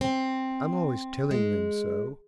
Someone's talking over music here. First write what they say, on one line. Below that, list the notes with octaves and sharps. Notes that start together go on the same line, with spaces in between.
I'm always telling them so.
C4
G#3